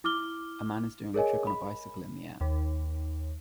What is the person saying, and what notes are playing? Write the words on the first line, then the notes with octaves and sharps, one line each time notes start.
A man is doing a trick on a bicycle in the air.
E4 D6 F6 G7
G#4 A#4 C#5 D#5 G#5
B5
D#2